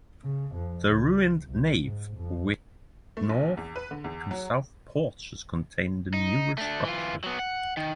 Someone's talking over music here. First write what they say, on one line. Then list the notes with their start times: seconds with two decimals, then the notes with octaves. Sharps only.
The ruined nave with north and south porches contains the newer structure.
0.24 C#3
0.55 F2
0.88 C#2
1.43 C2
1.80 G#2
2.17 F2
3.17 A3
3.29 A#1
3.57 E2
3.76 B4
3.91 D3
4.04 E2
4.31 F#3
6.14 D#4
6.58 A3 D4
6.84 E3 F4
7.24 F#3 B3
7.39 F#5
7.77 D#3